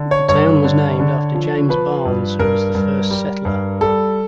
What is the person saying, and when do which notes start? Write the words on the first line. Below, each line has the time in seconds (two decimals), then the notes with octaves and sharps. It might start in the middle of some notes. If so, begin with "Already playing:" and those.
The town was named after James Barnes, who was the first settler.
Already playing: D3
0.11 C#5
0.28 G2 C#5
0.64 D3
1.00 D3
1.35 F3
1.69 F3 B4
2.05 G2
2.39 G2 A#4
2.75 G2
3.10 G3
3.45 G2
3.81 G3 A4